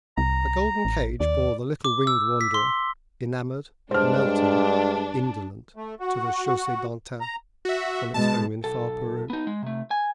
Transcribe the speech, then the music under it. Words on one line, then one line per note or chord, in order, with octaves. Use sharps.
A golden cage bore the little winged wanderer, enamored, melting, indolent, to the Chaussee D'Antin, from its home in far Peru.
C2 A#5
A1
D#2 D5
D6
E6
B6
C6
G2 G#3 D4 C5 F6
A3
F#4
A#5
F#4 E5
B2 G#3 A5
B1 A4
B3 D#4
G#3
C3 A3
G#5